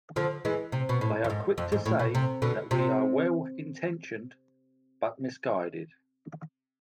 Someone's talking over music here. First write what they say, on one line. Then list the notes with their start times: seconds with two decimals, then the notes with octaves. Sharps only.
They are quick to say that we were well-intentioned, but misguided.
0.16 D3 F3
0.45 E3 G#3
0.72 C3
0.89 B2
1.01 A2
1.24 F2
1.30 G#2
1.58 F2
1.72 G#2
1.86 A2
1.99 B2
2.15 C3
2.42 B2 D3
2.71 C3